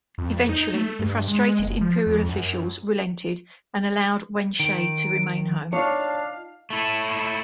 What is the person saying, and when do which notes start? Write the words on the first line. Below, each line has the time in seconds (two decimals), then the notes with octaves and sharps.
Eventually, the frustrated imperial officials relented and allowed Wen Shi to remain home.
0.18 F2
0.49 D#4
0.74 A3
0.99 G2
1.28 G#3
1.59 F#1
1.81 F3
2.06 F2
2.28 F#2
4.60 D#3 D7
5.73 D4 D#4 F4 C#5 F5
6.70 A3 E4